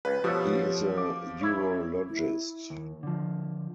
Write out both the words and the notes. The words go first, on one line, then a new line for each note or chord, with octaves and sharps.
He is a urologist.
C#2 B4
B2 F3 G4 A4 C#5
D6
E4 C#5
E4
D#2
D3 F3